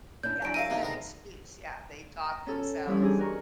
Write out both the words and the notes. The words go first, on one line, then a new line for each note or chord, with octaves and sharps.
Yeah, it's an excuse, yeah. They talk themselves
C#4 D4 E4 G6
F#3 D4 E4 G#5 D7
A#4 E5 F5 D#7
C3 A#3 C4 D4 D#4 G4
D3 B3 A#4
A#5
C#4 A4 F6
E3 F3 G3 C#4 E4
E3 D4 D#4 G4 G#4
F#4 A#4 C#6